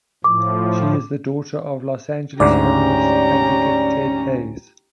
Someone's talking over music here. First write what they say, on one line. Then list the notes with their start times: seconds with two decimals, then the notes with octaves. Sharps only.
She is the daughter of Los Angeles homeless advocate Ted Hayes.
0.24 A2 F3 D6
2.40 D2 G#2 C#4 G4 D5 A#5